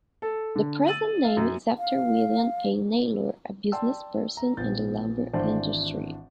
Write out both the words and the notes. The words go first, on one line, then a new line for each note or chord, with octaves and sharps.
The present name is after William A. Naylor, a businessperson in the lumber industry.
A4
D3
E6 A6 D#7 F#7
F5
F#2
F5
D5 G5 A5 C6 E6
A#5
A#1 B3 G6 A6
G#1 E3 D4 C5 D5 A5